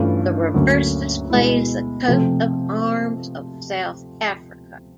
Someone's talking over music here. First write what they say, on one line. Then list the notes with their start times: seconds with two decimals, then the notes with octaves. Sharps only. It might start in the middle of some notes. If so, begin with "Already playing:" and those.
The reverse displays the Coat of Arms of South Africa.
Already playing: G2 E3 A3 C#4 F4
0.54 D2 D3 F#3 A#3 C#4
1.30 B2 G#3 B3 E4
2.06 C3 F3 A3 C4